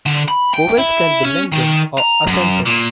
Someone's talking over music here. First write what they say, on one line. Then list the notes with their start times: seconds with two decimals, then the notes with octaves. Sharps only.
Vowels can be lengthened or accented.
0.06 D3
0.28 B5
0.54 G5
0.78 E4
1.25 C#4
1.53 D#3
1.98 A#5
2.27 F#2
2.66 A#2